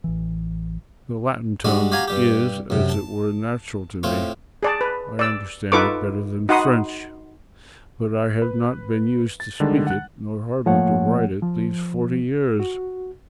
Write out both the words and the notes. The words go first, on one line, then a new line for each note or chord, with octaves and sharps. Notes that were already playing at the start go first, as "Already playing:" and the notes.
The Latin tongue is as it were natural to me; I understand it better than French; but I have not been used to speak it, nor hardly to write it, these forty years.
A1 E3
G3 G#3 D4 F#4
F#4 G4 F5 G#5 A#5
G2 G3 G4
F#2 C3
A5
A2 C4 F4 C#6
G#4 D5 A5
B4
D5 E6
D#4 F4 A4 B4 C#6 D6
D#4 F#4 F#5 B5 C6 D#6
B4
A6
D3 D#3 G3 G#3 D4
F#5 F#6
A2 F3 A3 A#3 C#5 F#5
F3
F#4